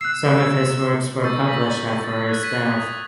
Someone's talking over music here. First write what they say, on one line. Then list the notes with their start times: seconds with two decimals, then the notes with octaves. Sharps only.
Some of his works were published after his death.
0.01 E6 F#6 C7
1.23 C#6 E6 G6 A6
1.48 C#6 E6 A#6 B6 F#7
2.04 A6
2.29 F#6 G#6
2.43 B6 D#7
2.70 D#6